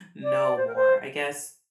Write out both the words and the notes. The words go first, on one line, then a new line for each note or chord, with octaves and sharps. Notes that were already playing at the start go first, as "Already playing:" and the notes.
know more? I guess,
D5
C5
A#4
C5